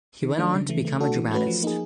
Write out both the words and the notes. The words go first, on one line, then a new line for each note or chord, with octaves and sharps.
He went on to become a dramatist.
D#3
F#3 A3 D4
C#3
E3 A3
A3
D4 F#4 A4
E3
A3 C#4 F#4 B4
F3
A#3 D#4 G#4